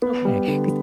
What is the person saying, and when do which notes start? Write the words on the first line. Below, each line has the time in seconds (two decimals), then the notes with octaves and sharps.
Okay, 'cause
0.02 B3
0.25 G3
0.48 D3